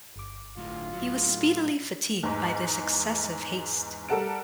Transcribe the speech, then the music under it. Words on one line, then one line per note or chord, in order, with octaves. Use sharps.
He was speedily fatigued by this excessive haste.
G1 D6
D2 A2 F4
A2 F#3
E2 G#2
G3 A4 A#4 F#5 A5 D7